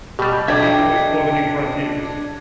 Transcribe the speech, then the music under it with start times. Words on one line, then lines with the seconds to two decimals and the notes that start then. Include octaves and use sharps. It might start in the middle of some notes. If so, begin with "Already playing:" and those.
The people explore the new frontiers.
0.19 B2 G3 G4
0.48 B1 D4 E5 G5 D6 G#6